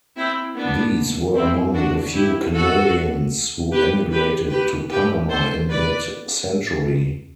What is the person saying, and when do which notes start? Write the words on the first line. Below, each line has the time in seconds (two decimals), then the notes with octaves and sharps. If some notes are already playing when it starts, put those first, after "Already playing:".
These were among the few Canarians who emigrated to Panama in that century.
0.17 C4 E4
0.56 B3 D4
1.35 C4 E4
1.74 D4 F#4
2.14 E4 G4
2.53 F#4 A4
3.72 G4 B4
4.11 G4 B4
4.51 G4 B4
4.90 G4 B4
5.30 A4 C5
5.69 B4 D5